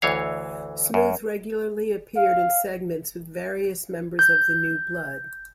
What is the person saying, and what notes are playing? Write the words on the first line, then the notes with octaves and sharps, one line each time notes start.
Smooth regularly appeared in segments with various members of the New Blood.
D2 E3 C#5 F5
F#2
F5
G6